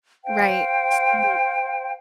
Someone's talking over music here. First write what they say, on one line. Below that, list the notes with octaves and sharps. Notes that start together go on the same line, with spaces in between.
Right. See,
C5 F5 G5